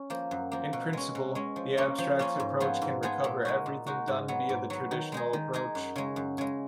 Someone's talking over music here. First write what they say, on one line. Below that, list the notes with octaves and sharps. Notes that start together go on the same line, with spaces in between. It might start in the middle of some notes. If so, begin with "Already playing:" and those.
In principle the abstract approach can recover everything done via the traditional approach.
Already playing: C#4
F3 A#3
F#2
F3 A#3
B2
G#3 C#4
B2
G#3 C#4
F3
A#3 C#4 F4
F3
A#3 C#4 F4
G#2
F3 B3 F4 G#4
G#2
F3 B3 F4 G#4
A#2
G#3 D#4 F#4
A#2
G#3 D#4 F#4
G#2
F#3 B3
G#2
F#3 B3
D#3
G#3 D#4 G#4
D#3
G#3 D#4 G#4
F#2
C#3 G#3
F#2
C#3 G#3